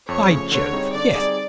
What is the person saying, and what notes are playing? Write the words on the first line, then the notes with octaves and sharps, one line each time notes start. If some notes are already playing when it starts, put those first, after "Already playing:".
By Jove! yes.
F2 C#5
C#3 F3 A3
D3 C#5
G3 C4 D#4 G#4
D3 D5
G3 C4 D#4 G#4